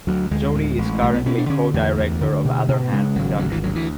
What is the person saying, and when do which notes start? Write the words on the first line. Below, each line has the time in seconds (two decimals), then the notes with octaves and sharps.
Jodi is currently co-director of Other Hand Productions.
0.07 D2 F#3
0.31 D2 G#3
0.55 A2
0.78 A1
1.02 B1 A3
1.14 B3
1.26 B2 C#4
1.38 D4
1.49 D3 C#4
1.74 E2 A3
1.97 D2
2.21 D3
2.44 B2
2.68 B2
2.92 C#3 G#3
3.16 G#1 F#3
3.39 D2 F#3
3.51 E3
3.63 D2 F#3
3.76 E3